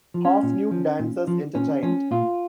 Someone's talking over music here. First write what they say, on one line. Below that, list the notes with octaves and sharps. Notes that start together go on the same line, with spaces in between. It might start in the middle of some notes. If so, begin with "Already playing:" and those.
Half-nude dancers entertained.
F3
C#4
A#2
F3
A#2
F3
A#2 C#4
F3 C#4
A#2 F4